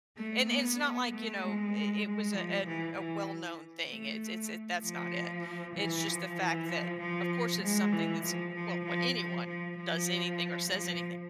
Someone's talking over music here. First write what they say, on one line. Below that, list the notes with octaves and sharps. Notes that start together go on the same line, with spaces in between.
And it's not like, you know, it it was a an a well-known thing. It's it's it that's not it. It's just the fact that, of course, it's something that's well, when anyone does anything or says anything
A3
B3
A3
G#3
G#3
F3
E3
E3
A3
F3
E3
F3
E3
F3
F3
G#3
E3
F3
F3
F3
F3
F3
F3
F3